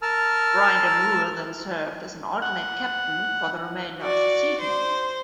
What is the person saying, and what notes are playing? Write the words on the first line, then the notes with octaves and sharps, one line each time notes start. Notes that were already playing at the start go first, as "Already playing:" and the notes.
Brind'Amour then served as an alternate captain for the remainder of the season.
A#4 A5 E6 F6
F#5
F#4 D5
C5